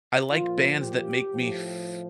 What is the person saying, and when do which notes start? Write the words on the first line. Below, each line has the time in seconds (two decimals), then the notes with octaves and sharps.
I like bands that make me f
0.31 A#2 F3 F4
0.81 G4
1.31 A2 F3